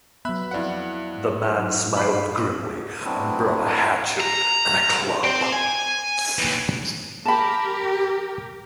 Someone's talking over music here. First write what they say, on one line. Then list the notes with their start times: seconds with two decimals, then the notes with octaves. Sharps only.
The man smiled grimly, and brought a hatchet and a club.
0.25 F#3 B3 E5 B5 F#6
0.51 F2 E4 D5 F5 F#5
1.58 F#3 D#4 F4
1.97 F#3 B5 D6 C7
3.04 F#3 A3 B3 C4 D4 E4
4.20 A#5
5.24 C4
5.52 G#5
6.38 D#2 E3
7.25 G4 A#4 A5 B5